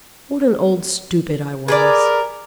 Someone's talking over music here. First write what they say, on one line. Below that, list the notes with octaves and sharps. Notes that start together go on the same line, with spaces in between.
What an old stupid I was!
G#4 A#4 B4 D5